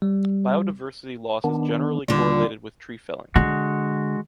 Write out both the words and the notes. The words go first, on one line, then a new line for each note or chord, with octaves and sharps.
Biodiversity loss is generally correlated with tree felling.
G3
D#3 B3 D4
D#2 D3 G3 F4
D3 G#3 F#4